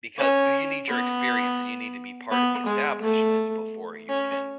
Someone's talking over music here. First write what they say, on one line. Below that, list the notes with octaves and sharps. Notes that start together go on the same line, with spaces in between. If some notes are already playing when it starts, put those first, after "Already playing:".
because we you need your experience and you need to be part of the establishment before you can
C#4
B3
B3
G#3
A3
C#4